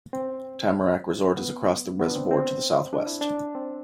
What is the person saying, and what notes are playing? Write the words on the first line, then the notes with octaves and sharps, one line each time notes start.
Tamarack Resort is across the reservoir to the southwest.
C4
B3
B3
D4
C4
C4
D4
E4
D4
C4